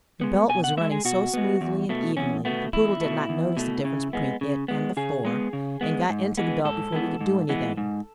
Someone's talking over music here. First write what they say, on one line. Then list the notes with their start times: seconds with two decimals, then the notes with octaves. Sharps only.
The belt was running so smoothly and evenly, the poodle did not notice the difference between it and the floor, and got into the belt before we could do anything.
0.21 G#3 B3
0.49 B2 G#5
0.64 F#5
0.77 G#3 B3 E5
0.91 G#4
1.05 B2 F#4
1.34 G#3 B3
1.61 E2
1.89 B2 A3
2.17 E2 C#4
2.45 B2 A3 B3
2.73 E2 E4
3.01 B2 A3
3.29 E2
3.57 B2 A3
3.85 C#3
4.13 G#3 B3
4.41 C#3
4.68 G#3 B3
4.97 C#3 G#4
5.25 G#3 B3
5.53 C#3
5.81 G#3 B3
6.10 G#2
6.38 E3 G#3 B3
6.65 G#2 A4
6.92 E3 G#3 B3
7.21 G#2
7.49 E3 G#3 B3
7.77 G#2